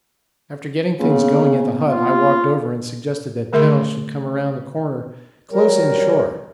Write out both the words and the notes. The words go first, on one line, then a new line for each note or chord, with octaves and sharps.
After getting things going at the hut, I walked over and suggested that Pennell should come round the corner close in shore.
C#3 A#3 B3
F4
D3 A3 G#4 A#4 E5 C6
F#3 G3 A#4 C#5